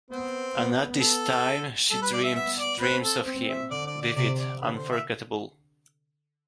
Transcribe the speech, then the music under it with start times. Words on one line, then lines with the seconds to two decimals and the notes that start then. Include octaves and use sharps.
And at this time she dreamed dreams of him, vivid, unforgettable.
0.10 B3 C4
0.55 B3
1.00 A4
1.90 G3 A4
2.02 B4
2.13 D5
2.24 E5
2.35 B3 E5
2.59 D5
2.80 C4 B4
3.04 A4
3.25 C4
3.49 E5
3.71 D3 D5
3.86 D5
4.01 D5
4.16 C3 D5
4.39 D5
4.61 D3 B4
4.76 C5
4.91 E5